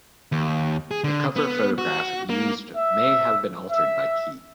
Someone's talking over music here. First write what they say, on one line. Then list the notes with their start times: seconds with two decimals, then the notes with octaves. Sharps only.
The cover photograph used may have been altered by Key.
0.32 D#2
0.91 G#4
1.04 D3
1.36 B3
1.78 F#4
2.30 A#3
2.75 E5
3.70 E5